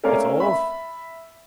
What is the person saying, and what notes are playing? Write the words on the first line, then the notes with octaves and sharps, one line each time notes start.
It's off.
A3 C#4 A4 A#4 D5 F5
E5 B5